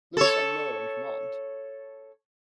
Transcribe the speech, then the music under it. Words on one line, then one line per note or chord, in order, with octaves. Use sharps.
Louis N. Miller in command.
A4 C#5